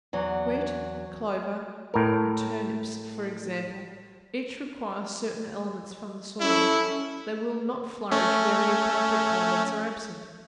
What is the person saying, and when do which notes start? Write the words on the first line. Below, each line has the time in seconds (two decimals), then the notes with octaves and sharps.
Wheat, clover, turnips, for example, each require certain elements from the soil; they will not flourish where the appropriate elements are absent.
0.13 E2 F#3
1.94 A2 A#4
6.41 C#4 E4 A4
8.12 A3 C#4